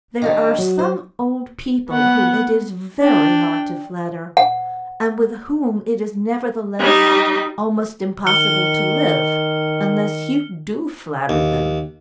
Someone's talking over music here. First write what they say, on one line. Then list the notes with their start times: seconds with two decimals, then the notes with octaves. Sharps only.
There are some old people whom it is very hard to flatter, and with whom it is, nevertheless, almost impossible to live unless you do flatter them.
0.22 D#3 G3 D4
0.59 F#3 F#4
0.79 C5
1.89 B3 F#5
3.00 D4 G5
4.37 F#5
6.80 G3 D#4
8.26 D#3 F6 C#7 G7
11.29 D#2